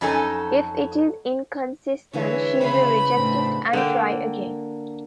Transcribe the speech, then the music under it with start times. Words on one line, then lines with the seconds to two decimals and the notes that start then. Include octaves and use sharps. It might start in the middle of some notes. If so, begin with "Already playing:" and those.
If it is inconsistent, she will reject it and try again.
0.01 F2 F#3 C#4 D#4 A4 G#5
2.13 D3 E3 G#3 C#5 E5
2.61 C#3 B4 B5 C6
3.15 A2 C4 D4
3.73 D3 A#3 G5